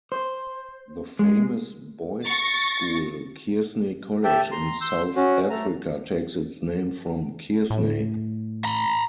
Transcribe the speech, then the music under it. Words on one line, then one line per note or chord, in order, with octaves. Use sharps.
The famous boys' school Kearsney College in South Africa takes its name from Kearsney.
C5
G#3
C#6 A6 A#6
G4 E5 G5 A5
A#5 C6
C6 E6 G6
C#4 F#4
A3 A#5
A2
A#5 B5